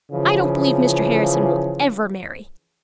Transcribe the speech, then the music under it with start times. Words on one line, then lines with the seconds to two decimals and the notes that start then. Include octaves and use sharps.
I don't believe Mr. Harrison will ever marry.
0.12 C#3 E3 F3